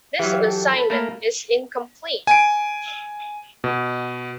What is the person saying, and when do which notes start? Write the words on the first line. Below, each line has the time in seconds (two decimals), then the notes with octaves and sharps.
This assignment is incomplete.
0.19 E3 F#3 G4 E5 F5
0.45 G4 A4
0.67 A4 B5
0.90 A3 A#3 A#4
2.27 G#5 D7
3.64 B2